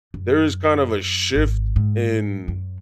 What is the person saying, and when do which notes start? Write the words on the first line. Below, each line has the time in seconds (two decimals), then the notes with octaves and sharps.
there is kind of a shift in
0.14 F#2
1.35 G#1
1.76 G#2
2.48 F#2